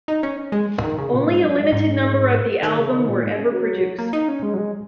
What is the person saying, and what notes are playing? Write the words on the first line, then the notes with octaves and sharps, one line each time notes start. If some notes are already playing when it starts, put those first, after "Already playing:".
Only a limited number of the album were ever produced.
D#4
C#4
G#3
D#3
C#3
A#2
G#2
F#2
G#2
G#2
D#3
C#3
D#3
A#2
G#2
C#3
F#3
A#3
D#4
C#4
G#3
F#3
G#3